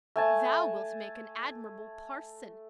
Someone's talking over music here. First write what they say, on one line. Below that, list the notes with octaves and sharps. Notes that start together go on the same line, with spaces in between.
Thou wilt make an admirable parson.
A3 G#5 A5